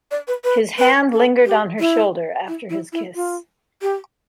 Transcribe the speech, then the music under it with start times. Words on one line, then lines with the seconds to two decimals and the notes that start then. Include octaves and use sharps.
His hand lingered on her shoulder after his kiss.
0.11 D5
0.28 B4
0.44 B4
0.78 B4
1.13 A4
1.46 G4
1.80 E4
2.48 E4
2.70 E4
2.93 E4
3.15 F4
3.82 G4